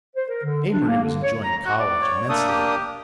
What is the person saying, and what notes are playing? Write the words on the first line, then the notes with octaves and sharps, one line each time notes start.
Amory was enjoying college immensely again.
C5
A#4
D3
D4
A#3
D3
C#5
A#5
F#4
D5
C#5
A3 A#3 D4 D#6
G4